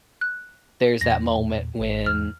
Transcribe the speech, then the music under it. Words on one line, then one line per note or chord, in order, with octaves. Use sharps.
There's that moment when
F#6
E2 A#2 A#6
G#1
E2 F6